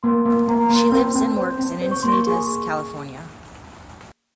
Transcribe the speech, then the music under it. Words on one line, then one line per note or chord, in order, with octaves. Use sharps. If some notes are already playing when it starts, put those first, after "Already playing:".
She lives and works in Encinitas, California.
A#3 C6
A#3
A#3 A#5
A#3 C6
C4
C4
C5
C4
C5
C#6
A#3 C6
C#6
G#4